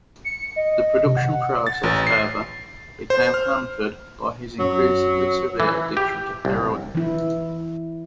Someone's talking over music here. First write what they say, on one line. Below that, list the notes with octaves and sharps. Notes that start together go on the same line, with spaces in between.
The production process, however, became hampered by his increasingly severe addiction to heroin.
C#7
D#5
C3
F#5
A6
A1
C7
C5
F6
F#2 F#3
E3
G4
C2
E3 E4